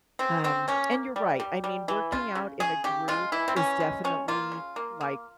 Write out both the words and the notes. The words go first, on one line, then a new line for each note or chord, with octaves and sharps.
Um, and you're right. I mean, working out in a group is definitely, like
C#3 C4
C#3 C4
A#3 C#4
A#3
G3
G3
G3
E3
C#3 F4
C#3
C#3 G#4
C#3 G4
G#3 F4
E3 E4
C4
E3 C#4
G#3
F3 C#4
A#3 F4
C#3
A#3
A#3